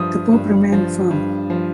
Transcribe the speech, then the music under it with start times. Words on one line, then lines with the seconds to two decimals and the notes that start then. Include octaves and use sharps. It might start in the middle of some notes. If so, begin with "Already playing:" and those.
The Pope remained firm.
Already playing: G2 F3 D#6
0.32 G2
0.72 F3
1.11 G2
1.50 F3